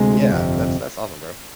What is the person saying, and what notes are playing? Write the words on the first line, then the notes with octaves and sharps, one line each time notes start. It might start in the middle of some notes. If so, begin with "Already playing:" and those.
Yeah, that's that's awesome, bro.
Already playing: D2 C3 G#3
G1 F2 C3